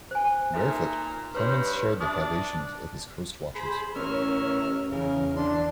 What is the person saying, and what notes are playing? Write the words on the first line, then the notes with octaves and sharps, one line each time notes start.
Barefoot, Clemens shared the privations of his coastwatchers.
C5 G#5
A#2 D#4 A4 E5
G2 B4 C#5 C6
D4 F#4 E5 D#6
G#4 C5 B5
A1 C#4 A#4 C#5 E5 F6
E2 C#3 A#4
D4 C6